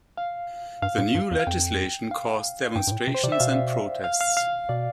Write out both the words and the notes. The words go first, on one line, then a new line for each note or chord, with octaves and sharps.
The new legislation caused demonstrations and protests.
F5
G2 F5
A2
G2
E2
F5
F2 G5
F5
G2 G5
G2
A2
C3
C5
C3 D5
E5
B2 F5
F5
F5
F5
B2 D5